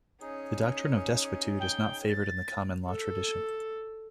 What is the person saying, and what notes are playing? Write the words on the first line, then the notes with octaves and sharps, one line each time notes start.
The doctrine of desuetude is not favoured in the common law tradition.
C#4 D#4 G#4
G5
A6
A4